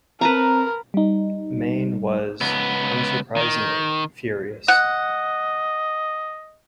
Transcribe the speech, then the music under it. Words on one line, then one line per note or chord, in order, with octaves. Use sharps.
Mayne was, unsurprisingly, furious.
C4 A#4 B4 A5 A#5
G3 D#4
C#2 B3
D#3
D#5 F#5